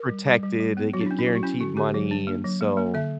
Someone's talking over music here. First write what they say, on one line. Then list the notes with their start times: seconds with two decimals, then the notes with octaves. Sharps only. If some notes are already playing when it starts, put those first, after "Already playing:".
protected, they get guaranteed money and so,
Already playing: A#4
0.09 G3
0.27 G3
0.43 G3
0.60 G3
0.77 B3
0.93 F#3 F#4
1.01 D4
1.06 E4
1.11 C#4
1.19 E4
1.26 F#3
1.35 F#4
1.43 C#4 E4
1.60 D3 F#4
1.77 D3 G4
1.94 F#3
2.11 D4
2.27 A#3
2.44 F#3
2.61 A#3
2.77 A#3
2.94 D3 E5